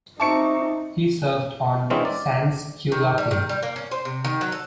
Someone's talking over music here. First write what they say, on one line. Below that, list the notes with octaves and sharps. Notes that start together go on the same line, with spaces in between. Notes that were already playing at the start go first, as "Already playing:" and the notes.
He served on "Sans-Culotte".
C4 D#4 C5 E5 A5 C#6 D6 C#7
E3 G#3 C4 C#4 D#4 F4
D5
D#3
G3
D#3
G3
A#3
C#4
C5
C3
D#3
F#3
A4